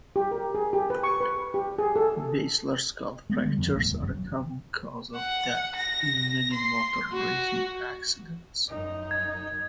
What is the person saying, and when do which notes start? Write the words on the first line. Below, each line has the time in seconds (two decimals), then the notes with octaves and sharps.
Basilar skull fractures are a common cause of death in many motor racing accidents.
0.16 G4
0.31 A#4
0.55 G#4
0.73 G4
0.90 B4
1.03 C#6
1.21 B4
1.54 G4
1.79 G#4
1.96 A4
3.30 G#3 B3
3.45 D3 G3
3.58 F2
3.71 B1 A2
3.83 D#1
4.00 F#1 F#2 F#3
5.15 F#5
5.76 A#6
6.53 C6
7.13 F#4
8.68 F#2 D#4
9.11 G#6